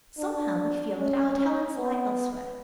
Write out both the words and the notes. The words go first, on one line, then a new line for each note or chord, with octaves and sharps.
But somehow we feel that our talents lie elsewhere.
D4
C#4
B3